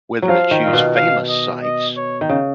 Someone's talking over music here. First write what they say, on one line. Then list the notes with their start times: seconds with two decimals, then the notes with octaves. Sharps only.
whether to choose famous sites
0.22 F#3
0.29 F3 F5
0.51 D#3
0.62 A#2 F5
0.73 B2
0.95 F5
1.29 D#5
1.63 D#5
1.97 C#5
2.21 D#3
2.29 C#3